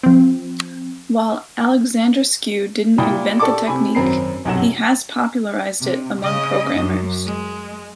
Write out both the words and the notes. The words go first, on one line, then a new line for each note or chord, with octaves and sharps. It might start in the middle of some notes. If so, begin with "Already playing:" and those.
While Alexandrescu didn't invent the technique, he has popularized it among programmers.
F3 C4
A#2 G3 E5 G5 B5 D#6
G4 A4 D5 A5 C#6 D6
C3 G#5 B5
G#1 F#2 C4 A#5 B5 C7
B1 F#2 C3 F#3 F#5 E7
C3
C#3 D#5
F#2
G#3